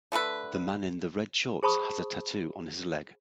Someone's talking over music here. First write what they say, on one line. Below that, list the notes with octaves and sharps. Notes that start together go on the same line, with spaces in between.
The man in the red shorts has a tattoo on his leg.
D3 A3 A4 B4
G#4 C5 A5 B5 C#6 D#6